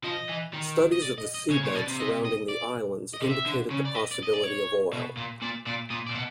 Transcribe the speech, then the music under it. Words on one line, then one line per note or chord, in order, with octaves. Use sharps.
Studies of the seabed surrounding the islands indicated the possibility of oil.
F3 D#5
E3
D#3
D#5
D5
D#5
D#5
C#3 C#5
A#2 C#5
B2 D5
C3
D#5
D#5
D5
D#5
C3
E5
D3
C#3
D5
D#5
D5
D#5
D5
C#5
B2
A#2
A#2 D5
A#2 D5
A#2 D#5
D5
A#2
B2